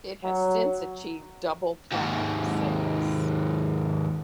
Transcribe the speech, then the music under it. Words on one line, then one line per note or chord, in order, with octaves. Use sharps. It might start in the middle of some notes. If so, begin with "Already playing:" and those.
It has since achieved double-platinum sales.
F#3
D#2 G#2